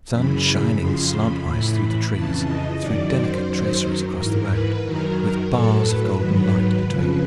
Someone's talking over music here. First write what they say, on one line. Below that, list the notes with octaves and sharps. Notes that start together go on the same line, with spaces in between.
The sun shining slantwise through the trees threw delicate traceries across the road, with bars of golden light between.
F#2 C#3 E3 B5
F2 C#3 F3 C6
B5
A2 E3 B5
B5
F2 C#3 E3 A5
D#5
F#2 D#3 F#3 D5
C5
F#2 D#3 F#3
G#2 E3 A#4
B4
F#2 D#3 F#3 A#4
A#4
A2 F#3 A4
B4
G#2 D#3 F#3
F2 C#3 F3 B4